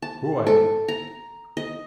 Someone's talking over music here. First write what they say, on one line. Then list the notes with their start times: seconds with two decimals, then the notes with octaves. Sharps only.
Who are you?
0.02 A5
0.47 A4
0.88 A#5
1.57 D#5